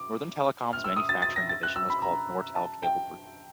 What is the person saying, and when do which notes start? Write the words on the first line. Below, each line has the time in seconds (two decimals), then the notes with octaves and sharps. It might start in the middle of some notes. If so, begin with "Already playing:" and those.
Northern Telecom's manufacturing division was called Nortel Cable Group.
Already playing: D6
0.73 F6
0.84 E6
0.96 D#6
1.09 A6
1.22 A6
1.36 A#6
1.49 A6
1.63 F#6
1.76 E6
1.90 B5
2.02 A#5
2.55 A5
2.83 G5